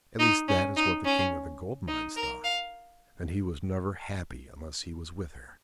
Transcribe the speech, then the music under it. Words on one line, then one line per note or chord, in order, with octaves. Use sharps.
At least that is what the King of the Gold Mines thought, and he was never happy unless he was with her.
D#4
C#4
D#4
C#4
D#4
A#4
F5